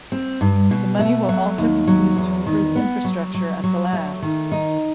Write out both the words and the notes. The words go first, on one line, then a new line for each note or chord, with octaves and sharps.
The money will also be used to improve infrastructure at the lab.
C4
G2
B2
A3
F#3
D#2
F#3
E2
D#3
B3
F#3
F#3
F#3
A3
D#3
D#4